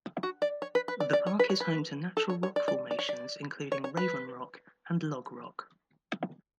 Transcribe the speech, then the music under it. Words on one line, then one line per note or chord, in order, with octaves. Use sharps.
The park is home to natural rock formations including Raven Rock and Log Rock.
F#4
D5
C#5
B4
B4
D5
D5
C#5
B4
C#5
B4
A4
C#5
C#5
D5
D5
D5
C#5
D5
C#5
C#5
B4